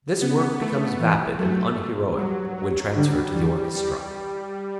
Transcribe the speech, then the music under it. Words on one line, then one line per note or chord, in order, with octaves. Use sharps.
This work becomes vapid and unheroic when transferred to the orchestra.
C#3 B3
A3
E3
F#3 A3
F#3 G3
F#3
D3 G3
E3 G3
G3